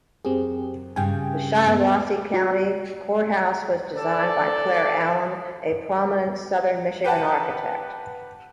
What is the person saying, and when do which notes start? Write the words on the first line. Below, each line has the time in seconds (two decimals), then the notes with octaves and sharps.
The Shiawassee County Courthouse was designed by Claire Allen, a prominent southern Michigan architect.
0.25 F#2 C4 G4 G#4
0.96 G2 C#3 G5 G#5
1.68 D#2 B3
2.34 F#4
3.97 A4 D5 A5
7.04 G4 B4 F#5 A5